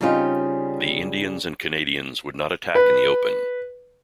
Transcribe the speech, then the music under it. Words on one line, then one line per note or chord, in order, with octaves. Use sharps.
The Indians and Canadians would not attack in the open.
C#3 G3 C4 C#4 D#4 F4
B4